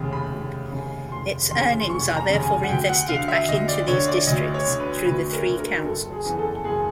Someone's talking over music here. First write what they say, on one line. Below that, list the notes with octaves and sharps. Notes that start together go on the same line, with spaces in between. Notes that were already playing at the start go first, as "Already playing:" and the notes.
Its earnings are therefore invested back into these districts through the three councils.
Already playing: F1 D#2 C#3
B5
F1
D#2 C#3
F1 C6
D#2 C#3 C6
C6
F1 C#6
A#5
D#2 C#3
G#5
F#5
D2 G5
F#5
D3 F5
E5
D2 D#5
D5
D3 C#5
D5
D2 D#5
C#5
D3
B4
D2 B4
A#4
D3
A#4
F#1 A4
G#4
E2 C#3 E3
A4
F#1 G#4